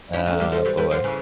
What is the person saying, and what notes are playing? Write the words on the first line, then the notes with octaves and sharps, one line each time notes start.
Oh boy.
C#4 E4
A3 C#4
G3 A#3
F3 A3
E3 G3
E3 G3
D3 F3
C#3 E3